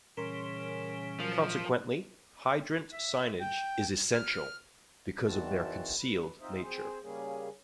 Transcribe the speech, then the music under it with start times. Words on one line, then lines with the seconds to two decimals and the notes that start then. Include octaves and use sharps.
Consequently, hydrant signage is essential, because of their concealed nature.
0.17 A#2 C#3 E3 G3 C#4 A#4 C6
1.20 F3 F#3 A#4
2.92 E5
3.40 G5
4.13 F6
5.25 E2 D#3 E3 C4 F#4 A5
5.96 B4
6.40 C4 D#4 F4 C5 D#5 E5
6.61 C4 G#4 C5
7.03 C#3 G3 A#3 C#4 G#4